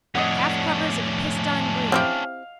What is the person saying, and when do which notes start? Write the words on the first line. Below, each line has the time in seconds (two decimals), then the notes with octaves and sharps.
Calf covers of pissedon green.
0.15 F2 A2 C#4 D4 D#5 F#5
1.92 C4 E4 G4 F5